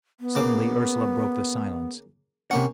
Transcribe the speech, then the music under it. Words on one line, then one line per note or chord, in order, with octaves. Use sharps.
Suddenly Ursela broke the silence.
B3
C#3 A#3 D6
C3 A#3 C#4 F#5